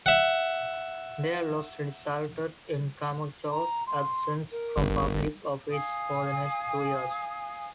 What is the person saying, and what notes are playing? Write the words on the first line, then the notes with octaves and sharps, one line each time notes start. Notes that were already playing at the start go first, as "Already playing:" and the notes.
Their loss resulted in Camacho's absence from public office for the next two years.
E5 F#5
A#5
C6
A#4
G1
F5 G#5 D#6